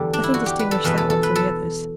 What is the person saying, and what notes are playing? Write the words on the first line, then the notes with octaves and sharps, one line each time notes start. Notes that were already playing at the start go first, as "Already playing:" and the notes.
Nothing distinguished that one from the others.
Already playing: E2 D3 G3 G4 A4
D4
E4
F#4
G4
B4
A4
E2 B2 A3 B4
A4
A4
B4
A4